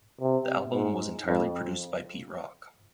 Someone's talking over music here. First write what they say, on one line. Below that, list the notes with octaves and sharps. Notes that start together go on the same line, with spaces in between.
The album was entirely produced by Pete Rock.
C3
G#2
F2